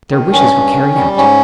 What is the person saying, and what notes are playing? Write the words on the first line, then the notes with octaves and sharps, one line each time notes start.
Their wishes were carried out.
D#3
G2 C#4
G2
D#3
G3
G#2 C#4